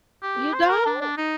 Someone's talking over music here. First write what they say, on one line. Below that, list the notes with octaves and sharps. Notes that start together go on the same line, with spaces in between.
You don't?
G4
C5
A#4
D4
D4
D#4